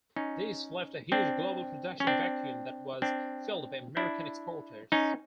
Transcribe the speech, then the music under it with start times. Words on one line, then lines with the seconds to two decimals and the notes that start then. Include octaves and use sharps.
This left a huge global production vacuum that was filled by American exporters.
0.16 C#4 D#4
1.12 C4 D4
2.00 C#4
2.07 C4 D4
3.02 C4 D4
3.97 D4 E4
4.92 C#4 D#4